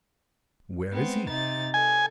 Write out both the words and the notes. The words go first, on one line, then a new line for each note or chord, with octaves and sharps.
"Where is he?"
G#3 B3 C4
C3 D#4 A6
A4 G#5